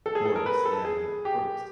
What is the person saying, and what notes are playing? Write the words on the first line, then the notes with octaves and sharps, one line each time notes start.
Of course. Yeah. Of course.
A4
G#4
A4
A#4
B4
A4
G#4
G4